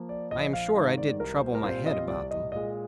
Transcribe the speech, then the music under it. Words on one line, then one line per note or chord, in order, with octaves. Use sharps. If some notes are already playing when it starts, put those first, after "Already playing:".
I am sure I did trouble my head about them.
Already playing: F3 A#3
D5
A#1 D#5
F5
G#2 D#3 F5
D5
C2 A#4
C5
A#4
A#2 G3 C4 F4 C5
D#5
C2 D5
D#5
A#2 G#3 D#5